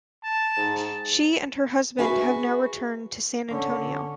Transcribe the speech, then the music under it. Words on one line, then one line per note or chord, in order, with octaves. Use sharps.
She and her husband have now returned to San Antonio.
A5
G#2
F#4 G#4 B4 E5 G#5
D3 C#4